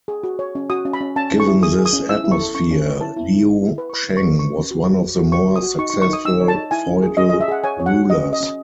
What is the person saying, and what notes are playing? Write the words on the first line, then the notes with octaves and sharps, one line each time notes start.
Given this atmosphere Liu Sheng was one of the more successful feudal rulers.
G#4
F#4
C#5
C#4
F#4 D#6
C#4
B5
C#4
C#4 A5
C#4
C#6
E4
G#4 D#6
G#4
D#6
C#4
E4 E6
E4
C#6
A4
C#4 C#6
C#4
C#5
E4 A5
E4
E4
E4
E4
B4
C#6
B4 B5
C#4
C#6
B4
C#4 C#6
C#4
F#4
F#4
F#4
F#4
C#5 C#6
F#4
D#6
F#4
D#4 C#6
C#6
D#4
C#6
D#4 D#6
D#4 E6
C#5
A5
D#4
E4 G#5
C#4
G#4
C#4 D#5
D#5
G#4
E5
G#4 F#5
C#5 G#5
C#5
F#5
F#4
C#4 D#5
C#4
D#5
C#4